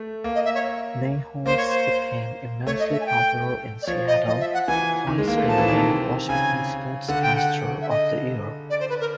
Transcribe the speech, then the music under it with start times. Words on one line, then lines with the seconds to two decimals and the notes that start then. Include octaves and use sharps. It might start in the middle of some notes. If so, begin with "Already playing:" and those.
Niehaus became immensely popular in Seattle, twice being named Washington Sportscaster of the Year.
Already playing: A3
0.24 A#3
0.35 D#5
0.45 E5
0.55 C#5
1.45 A#3 C5
1.57 C#5
1.68 C5
2.66 A3 C#5
2.79 D#5
2.93 E5
3.01 G#5
3.06 G5
3.82 D5
3.86 F3 C#5
4.07 D#5
4.27 F3 D#5
4.40 E5
4.54 F#5
4.68 E3 G#5
5.07 D#3
5.18 G#3
5.28 A#3
5.38 A3
5.48 F3 A5
5.58 E3
5.68 D#3
5.78 C3
6.28 C#3 G#5
7.08 D3 F#5
7.22 G5
7.36 F#5
7.82 E5
7.89 D#5
8.70 D5
8.80 C5
8.89 B4
9.00 A#4